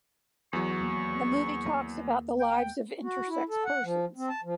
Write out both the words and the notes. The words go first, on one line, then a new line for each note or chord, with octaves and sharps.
The movie talks about the lives of intersex persons.
E2 F#3 C#6
D#2 A#3
G5
F#4
E4
A4
F#5
F3
C4
A5
F3